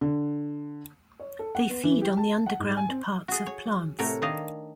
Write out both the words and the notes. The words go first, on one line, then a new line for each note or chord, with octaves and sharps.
They feed on the underground parts of plants.
D3
C#5
A4
F#5
B3
E3
G4
A5
F#5
G#2
G#5
C4
F#4 G#4
C#5
A2 C3 A3 A#4 C#5 F#5
D#3 D4 C#5 D#5 F5